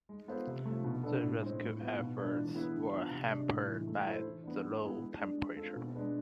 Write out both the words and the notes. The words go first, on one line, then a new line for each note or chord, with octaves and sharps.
The rescue efforts were hampered by the low temperature.
G#3
B3 F4 A4 C5
C3
A3
F3
B2
B3 D4 A4
A2
G#3 C4
A2
F3 B3 F4
B2
G#3 D4 F4 B4
E3
B3 E4 G#4 B4
D3
F3 B3 F4
C3
G#3 D4
A2
E3 G#3
A3
E4 A4 C5
E3
B3 D4
G#3
B3 E4 G#4
G#3
D4 G#4
G#3
C4 F4 A4 C5
B2
G#3 D4 G#4 B4